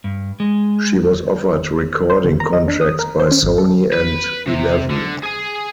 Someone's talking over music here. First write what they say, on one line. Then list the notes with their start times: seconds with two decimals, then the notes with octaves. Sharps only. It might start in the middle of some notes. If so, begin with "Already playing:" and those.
She was offered recording contracts by Sony and Eleven.
0.04 G2
0.40 G#3
2.10 C5
2.24 G1
2.40 A#5
2.53 D#5
2.68 D4
2.81 D#6
2.99 A#4
3.20 C5
3.31 C#4
3.43 G#1
3.58 A4
3.93 B4
4.47 C3
4.90 D3
5.23 G#4 G#5